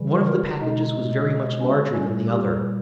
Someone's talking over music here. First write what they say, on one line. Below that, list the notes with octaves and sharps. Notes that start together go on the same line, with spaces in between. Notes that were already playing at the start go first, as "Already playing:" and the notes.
One of the packages was very much larger than the other.
Already playing: C#3 E3 G3
A#4
B2 G#3 D#4
C#4
A#2 G3 C#4
G4